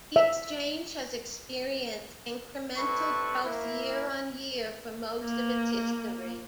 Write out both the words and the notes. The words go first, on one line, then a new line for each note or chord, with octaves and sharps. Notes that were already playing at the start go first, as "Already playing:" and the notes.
The Exchange has experienced incremental growth, year-on-year for most of its history.
E5
G3 C4 E4 A4 B4 C#6
A#3 E4
A#3